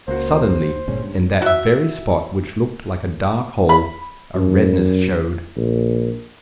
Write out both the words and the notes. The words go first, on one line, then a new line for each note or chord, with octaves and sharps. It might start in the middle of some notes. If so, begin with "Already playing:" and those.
Suddenly, in that very spot which looked like a dark hole, a redness showed.
C#2 A#3 F#4 C5
G1 A#2 G#3 C#4
G2
F#4 E5
B5
F#2
A#1